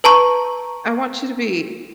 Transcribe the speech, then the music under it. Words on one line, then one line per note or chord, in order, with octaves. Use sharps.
I want you to be,
B4 A5 A#5 C#6